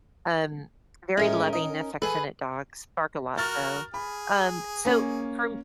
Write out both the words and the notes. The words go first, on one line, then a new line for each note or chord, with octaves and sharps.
Um, very loving, affectionate dogs, bark a lot, though. Um, so, from
A2 G#3 C#4 A#4
D#4
G#4 A4 B4 G#5
F#4 A#4 F6 A6
G#4 B5
A#3 C#4